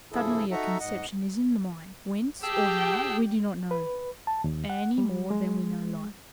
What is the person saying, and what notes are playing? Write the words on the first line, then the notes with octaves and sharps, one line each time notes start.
Suddenly a conception is in the mind, whence, or how, we do not know, any more than we know Life.
G2 C3 F3 E4 G#4 A4
D#4 F#4 A4 E5 F#5 A#5
G#2 D#5 F#5
G4 G#4 G5 A5 E6
B4
A5
D#2
F#5
G3
G#3